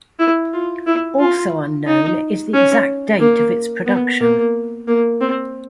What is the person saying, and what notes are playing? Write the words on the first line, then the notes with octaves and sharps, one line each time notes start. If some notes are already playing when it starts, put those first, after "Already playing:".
Also unknown is the exact date of its production.
E4
F4
E4
F4
D#4
C#4
A#3
B3
A#3
A#3
C4